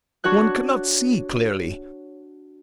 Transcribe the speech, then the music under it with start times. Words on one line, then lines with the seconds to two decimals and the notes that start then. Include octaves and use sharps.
One cannot see clearly.
0.24 D4 F#4 C#5 F#6